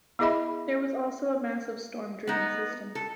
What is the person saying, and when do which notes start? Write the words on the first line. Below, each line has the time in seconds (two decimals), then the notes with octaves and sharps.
There was also a massive storm drain system.
0.19 B3 E4 G#4 D#5 E5 B5
2.27 B3 D#4
2.95 A4